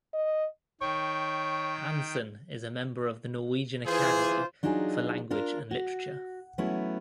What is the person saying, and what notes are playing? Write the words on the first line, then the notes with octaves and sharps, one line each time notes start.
Hansen is a member of the Norwegian Academy for Language and Literature.
D#5
D#3 C#5 G5
E3 F4 G#4 C5
F#3 D4 D#4 F4 G#4
D4 F4 A#4
F#4
F#3 A3 B3 C#4 E4